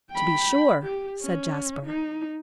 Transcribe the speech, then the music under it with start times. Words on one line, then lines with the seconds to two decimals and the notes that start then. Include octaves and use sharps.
"To be sure," said Jasper.
0.10 G5 B5
0.83 G4
1.22 C#4
1.86 D#4